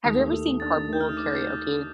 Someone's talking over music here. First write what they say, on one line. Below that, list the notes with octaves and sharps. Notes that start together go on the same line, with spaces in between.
Have you ever seen Carpool Karaoke
D#2 D#6
A3
A3
A3
D4 A6
D#2
A3 G6
D#3 F6
D#6
D6